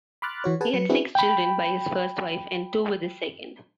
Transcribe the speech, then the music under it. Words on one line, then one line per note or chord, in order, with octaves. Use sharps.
He had six children by his first wife, and two with his second.
B5 C6 D6 F6 F#6 A6
E3 F#4 C#5
G#4 B4 F#5 G#5 A5
F#3 B4 C#7
C4 D4 E4 F#4 G#4 B4
G5 B5